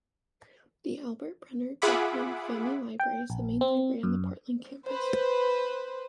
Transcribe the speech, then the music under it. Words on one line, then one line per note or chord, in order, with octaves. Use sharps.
The Albert Brenner Glickman Family Library is the main library on the Portland Campus.
F4 G#4 E5 F#5 B5 D6
G5
A#1
C4
F#2
B4 C5